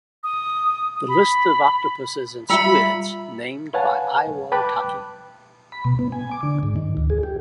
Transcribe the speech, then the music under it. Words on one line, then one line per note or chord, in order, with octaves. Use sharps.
The list of octopuses and squids named by Iwao Taki.
D#6
B5
G3 F4 E5 A#5 B5 E6 C#7
B4 C#5 F5 F#5 G#5 A5
B4 G5 A5 B5 D6 F#6
B5
B2
B3
G#5
D6
D3
G#2
D#3
D2
G#4
G4